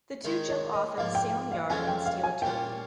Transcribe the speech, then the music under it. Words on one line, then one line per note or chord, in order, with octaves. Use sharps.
The two jump off at the Salem yard and steal a turkey.
D#3 G#3 D#4
C#5
D#5
G#2 F3 A#3 F5
G5
F5
F2 C#3 G#3 C#4 F4 G#5
G5
F5
G#5
A#2 G3 C#4 F4 G5